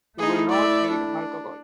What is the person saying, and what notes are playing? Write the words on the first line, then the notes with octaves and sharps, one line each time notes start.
You will not need alcohol.
A3 D#4 E4 G#4
D5 E5
D4